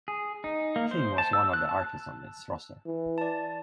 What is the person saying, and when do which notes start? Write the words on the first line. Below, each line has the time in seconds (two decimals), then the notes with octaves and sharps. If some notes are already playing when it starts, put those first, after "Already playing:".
King was one of the artists on its roster.
0.08 G#4
0.44 D#4
0.76 A#3
0.91 C5
1.18 A5
1.33 E6
1.53 F#6
1.69 A5
2.86 E3
3.18 D5 A5